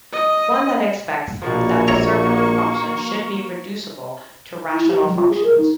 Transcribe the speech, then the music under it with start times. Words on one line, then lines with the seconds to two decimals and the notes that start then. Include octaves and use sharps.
One then expects that the "circular functions" should be reducible to rational functions.
0.12 D#5
1.42 A#1 B2 F3 A#3 C#6
1.88 C#5 E5 A#5
4.72 E4
4.88 G4
5.04 F#3
5.17 F4
5.30 G#4
5.43 A#4
5.58 D#4